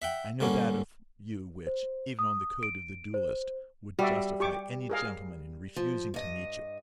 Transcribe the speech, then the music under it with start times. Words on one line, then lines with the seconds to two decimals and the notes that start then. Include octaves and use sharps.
I know that of you which, even on the code of the duellist, would justify any gentleman in refusing to meet you.
0.02 E5 F#5 G5
0.40 G2 D3 A#3 C#4
1.67 C5
2.19 D#6
2.63 D7
3.14 C5
3.99 G3 F#4 D5 E5
4.40 G4 C#6 D6
4.89 G#4 A#4 F5
5.76 F3
6.14 G2 D#5